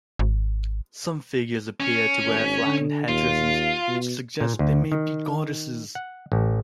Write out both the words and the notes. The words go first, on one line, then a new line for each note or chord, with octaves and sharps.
Some figurines appear to wear flattened headdresses, which suggests they may be goddesses.
G#1
C#4
G#1
D3
D#2 F4
B2
A#2
D2
D#3
F#5
A1